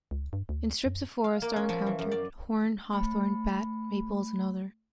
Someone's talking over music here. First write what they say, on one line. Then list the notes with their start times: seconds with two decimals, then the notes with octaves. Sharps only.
In strips of forest are encountered: horn, hawthorn, bat, maples and other.
0.11 C#2
0.33 G2
0.49 D2
0.86 F#2
1.24 F5
1.42 A#3
1.56 C#4
1.69 F3
1.86 E3
1.99 F#2
2.11 D5
2.93 A3 B5